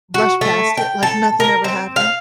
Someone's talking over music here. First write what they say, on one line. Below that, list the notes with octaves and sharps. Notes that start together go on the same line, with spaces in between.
rush past it like nothing ever happened.
F#4
A3
G5
A4
A#4
C4
F5